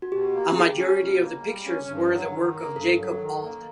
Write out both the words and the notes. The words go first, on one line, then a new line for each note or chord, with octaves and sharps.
A majority of the pictures were the work of Jakob Alt.
F#4
B2 G4
A#3
G3 G#4
C#4
B2
A#3
G3
C#4
G2
F#3
D#3
A#3
G2 A4
F#3
D#3
A#3